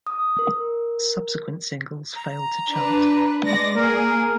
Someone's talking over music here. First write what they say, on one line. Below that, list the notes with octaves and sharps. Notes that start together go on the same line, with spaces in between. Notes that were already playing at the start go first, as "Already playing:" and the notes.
Subsequent singles failed to chart.
D#6
A#4
A#5
D4 B4
G#3 D5 A#6
A#3 G#4 A#4